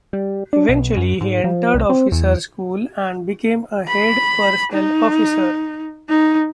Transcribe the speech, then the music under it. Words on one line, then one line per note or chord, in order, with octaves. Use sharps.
Eventually he entered officer school and became a head personnel officer.
G3
D4
B1
F#2
G#2
F3
C2
C4
E2
B5
D#4
D#4